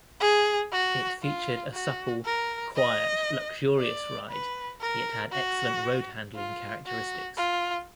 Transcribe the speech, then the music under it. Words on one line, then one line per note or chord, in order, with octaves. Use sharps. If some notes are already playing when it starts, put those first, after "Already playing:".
It featured a supple, quiet luxurious ride, yet had excellent road handling characteristics.
G#4
F#4
F4
F#4
A#4
D#5
D5
B4
A#4
F#4
F4
F#4
F4